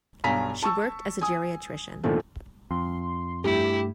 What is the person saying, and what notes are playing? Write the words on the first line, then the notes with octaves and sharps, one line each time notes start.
She worked as a geriatrician.
B1 G2 G#5 A#5 B6
A5 C#6 E6
G#5 D#6
E2 A#2 D3 D#3 F3 A3
F2 C6
G2 A3 E4 G4